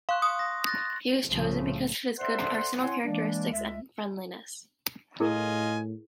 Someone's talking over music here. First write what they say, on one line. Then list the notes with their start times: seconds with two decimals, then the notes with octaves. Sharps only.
He was chosen because of his good personal characteristics and friendliness.
0.09 F5 C6 C#6 F#6
0.22 D#6
0.39 A#6
0.66 F#6 A6 A#6
1.28 C2 A2 C#3 F3 A3
2.19 A4 C5 D5 E5 F#5 C6
2.81 C4 E4 C#5 F#5 G#5 C6
3.03 E3 G#3 A#3 D4
3.53 C#2 G#3 E5
5.20 A2 E4 F4 G#4 A#4 D#5 G#5